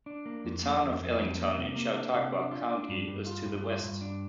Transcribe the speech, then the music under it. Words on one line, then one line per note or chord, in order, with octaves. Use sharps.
The town of Ellington in Chautauqua County is to the west.
D4
A#3
F2
A#3
F2
F2
F2
A#3
C3
A#3
D4
C3
D4
F4
D4
G2
G2
F4
G2
F4
G2
D4